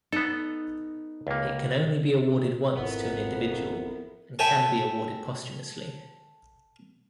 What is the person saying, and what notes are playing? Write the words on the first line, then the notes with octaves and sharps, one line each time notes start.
It can only be awarded once to an individual, and can be awarded posthumously.
B3 D#4 A4
C#2 A#3
G#1 F2 B3 E4 A#4
A4 C#5 E5 G5 G#5